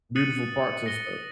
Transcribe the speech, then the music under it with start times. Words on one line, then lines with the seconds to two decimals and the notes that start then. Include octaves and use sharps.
beautiful parks and stuff
0.16 D#6 F#6 A6 C#7 D#7 F#7
0.86 A#6 C#7 G7